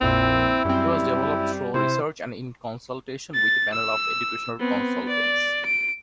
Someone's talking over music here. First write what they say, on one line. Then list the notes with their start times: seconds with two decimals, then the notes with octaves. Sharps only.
It was developed through research and in consultation with a panel of educational consultants.
0.01 A#1 F2 A#2 C4 E4
0.65 F#2 G3 C4
1.74 C3 E4 C5
3.34 A6
3.73 E6
4.59 B3 C4
5.08 D5
5.65 D7